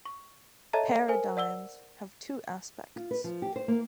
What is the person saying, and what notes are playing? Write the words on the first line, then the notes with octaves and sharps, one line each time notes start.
Paradigms have two aspects.
C#6
A4 C#5 D#5 E5 A5 A#5
A#4 C5 G#5
D5 F#5 E6 G7
F4
B4
F3
G4
C5
A#3